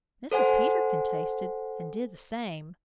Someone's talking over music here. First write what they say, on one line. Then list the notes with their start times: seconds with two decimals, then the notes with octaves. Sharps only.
Mrs. Peterkin tasted, and did the same.
0.31 A4 C5 F#5 G#5